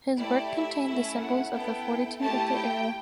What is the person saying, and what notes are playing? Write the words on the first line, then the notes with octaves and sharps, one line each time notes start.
His work contained the symbols of the fortitude of the era.
A3 E4 G4 D5
E5
A3 C#4 E4
F#5
B3 E4 A4 G5
A3 E4 G4 A5
G5